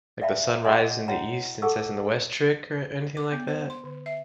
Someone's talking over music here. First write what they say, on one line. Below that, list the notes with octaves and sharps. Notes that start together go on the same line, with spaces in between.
like, the sun rises in the east and sets in the west trick or anything like that,
D5 E5 F5 G5 A5 B5
F#4 G#4 D#5 F#5 G#5
E4 F#4 C#5 F#5 G5 A#5
G#4 A4 F#5 A5 C#6 E6
D6
B3
C5
C6
D3
E5